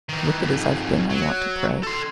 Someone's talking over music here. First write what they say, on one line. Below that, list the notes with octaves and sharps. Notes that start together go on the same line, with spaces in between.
Wicked as I've been, I want to pray.
D#3 E3
F2 G#2
F#3
A4 C6